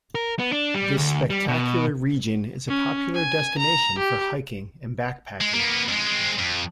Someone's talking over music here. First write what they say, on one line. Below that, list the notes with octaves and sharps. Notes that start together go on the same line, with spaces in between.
This spectacular region is a popular destination for hiking and backpacking.
A#4
B3
D4
G3
D2
G3
B2
C#4
G#5
A#5
G4
G#3
A#3 B3
F2 G#3
G#3 C4
F2